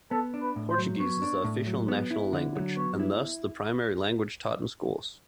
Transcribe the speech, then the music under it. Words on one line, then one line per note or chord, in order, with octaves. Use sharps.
Portuguese is the official national language, and thus the primary language taught in schools.
B3 A4
D4
B4
A2
C5
F#3
B3 C#5
D4
A2
F#3
B3
E4
D3
F#3
B3 C#5
E4